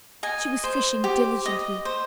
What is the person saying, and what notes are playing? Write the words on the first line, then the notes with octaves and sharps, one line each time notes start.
She was fishing diligently.
D#5 G#5
C5
G4
D#5
C5